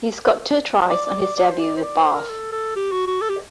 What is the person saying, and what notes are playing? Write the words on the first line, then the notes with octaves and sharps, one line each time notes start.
He scored two tries on his debut with Bath.
D5
D5
D5
D5
C5
D5
C5
D5
C5
A#4
A4
A4
G4
F#4
F#4
A4
G4